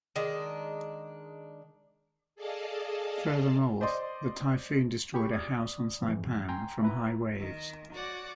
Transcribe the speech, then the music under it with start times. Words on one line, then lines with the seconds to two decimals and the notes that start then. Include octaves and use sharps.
Further north, the typhoon destroyed a house on Saipan from high waves.
0.16 D#3 G#3 D4
2.36 G#4 A4 D5 D#5 F5 A5
3.81 C5 D5 D#5 C6
5.14 G4 G#4 B5 C#6
5.31 D5 D#6
6.02 F2 G#2 E3
6.49 G5 G#5 A#5 C6
6.83 E4 B4 A#5
7.39 D#3
7.92 F#4 C#5 D5 F#5 D6